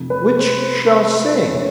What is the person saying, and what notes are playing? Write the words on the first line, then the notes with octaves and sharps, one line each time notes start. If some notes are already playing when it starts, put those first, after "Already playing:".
Which shall sing?'
Already playing: F1 F2 C3
B4
C5
D3 C#5